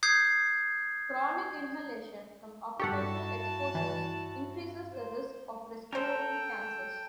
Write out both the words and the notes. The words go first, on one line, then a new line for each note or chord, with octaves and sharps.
Chronic inhalation from occupational exposures increases the risk of respiratory cancers.
D#6 G6 G#6 C7
G2 E4 F#4 G4 A4 F#5 A5 C#6
E3
C5
C#4 A4 A#4 C5 G5